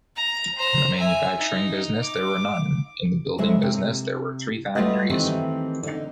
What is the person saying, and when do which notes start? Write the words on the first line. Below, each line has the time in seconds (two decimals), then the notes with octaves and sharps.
In the manufacturing business there were none, in the building business there were three factories.
0.16 A#5
0.57 C5 A#5
0.98 E5 G#5
1.39 D#4
2.03 D6
3.38 F#3 G#3 E4 A4 C5 E5
3.62 C3
4.75 G3 A3 F4 F#4 B4 D#5
5.10 D#3 E3 A3 C4 G4
5.83 D3 D#4